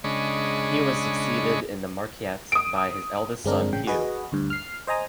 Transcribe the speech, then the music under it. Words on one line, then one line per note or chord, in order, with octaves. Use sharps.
He was succeeded in the marquessate by his eldest son, Hugh.
C#3 G#3 D4 D#5 B5 C#6
D#6 D7
G1 G#3 C4 D4 A#4
A1 C#3 G5
F#4 G#4 B4 D#5
D2 G2
F6 C7
C5 D#5 G#5 A#5 D#6